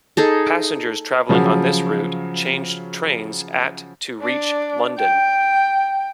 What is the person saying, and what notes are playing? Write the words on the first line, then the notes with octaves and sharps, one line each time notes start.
Passengers travelling on this route changed trains at to reach London.
D#4 G#4 A4
C#3 F3 F#3
D4
G5